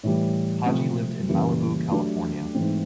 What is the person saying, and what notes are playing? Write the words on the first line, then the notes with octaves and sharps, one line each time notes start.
Haji lived in Malibu, California.
A2 E3 G3
C3 F3 A3 C4
F#2 C#3 E3 G3 A#3
F#3 A3 D4 G4
G#2 E3 A3 C4